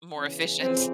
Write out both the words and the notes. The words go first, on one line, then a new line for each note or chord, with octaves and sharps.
e more efficient.
E2 C#3 E3 C#4
F2 C#3 E3 C4